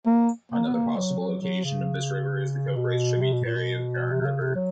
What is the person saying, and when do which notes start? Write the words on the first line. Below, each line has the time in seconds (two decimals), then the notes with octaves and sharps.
Another possible location of this river is the Coprates tributary of the Karun River.
0.06 A#3
0.52 A#3
0.67 B3
0.74 A#3
0.96 F#3
1.19 F#3
1.42 F#3
1.64 C#3
2.76 B2
3.21 C3
3.32 B2
3.45 A#2
3.56 B2
4.11 C3
4.21 C3
4.26 C#3
4.41 C3
4.55 F#3